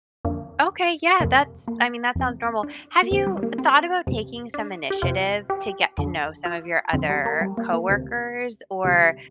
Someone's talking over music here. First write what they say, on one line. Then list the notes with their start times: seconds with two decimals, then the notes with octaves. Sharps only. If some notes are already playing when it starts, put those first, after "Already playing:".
Okay, yeah, that's I mean, that sounds normal. Have you thought about taking some initiative to get to know some of your other coworkers or
0.25 F2 D3 A#3
1.20 F2 C3 A#3
1.68 A#3
2.15 F2 C3
2.63 D4
3.03 A#3
3.11 F2 D3 C4
3.27 G3
3.37 G3
3.43 A#3
3.58 C4
4.07 F2 C3
4.54 D4
4.90 G4
5.02 F2 C3 F4
5.50 G4
5.98 F2 D3
6.45 F4
6.93 F2 D3 C4
7.10 G3
7.26 A#3
7.41 G3
7.57 A#3
7.73 A#3
7.89 D2 C3
8.84 D2 C3 G3